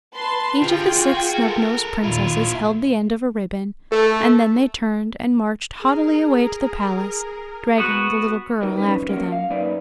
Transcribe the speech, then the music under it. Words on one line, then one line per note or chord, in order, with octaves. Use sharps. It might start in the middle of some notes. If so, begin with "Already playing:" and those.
Each of the Six Snubnosed Princesses held the end of a ribbon, and then they turned and marched haughtily away to the palace, dragging the little girl after them.
B4 A5 C6
D3 F4 G4 G#4 G5
F#4
A4 A#4
A#1 D#2 E4 F4
A3 A4
G#4 A#4
B3 F#4
G3 D#4 F#4 A#4 B4
F#3 C#4 D#4 B4
A#3 C#4 E4 F#4
F5
F#2 A#3 D#4 B4 D5